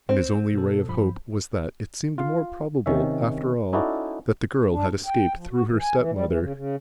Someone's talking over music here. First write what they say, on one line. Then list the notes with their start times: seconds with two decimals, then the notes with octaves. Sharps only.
And his only ray of hope was that it seemed more probable, after all, that the girl had escaped through her stepmother.
0.09 C4
0.54 B2 A4
0.88 G2 F3 B5
2.18 F4 F5
2.86 C3 D#3 C#4 E5
3.73 C#4 D#4 E4 F#4 A4 D5
4.71 D4
4.92 G2
5.06 G5
5.36 F3
5.51 F#4
5.69 E3
5.81 G#5
5.97 E3
6.13 G3
6.26 E3
6.41 C#3
6.55 C#3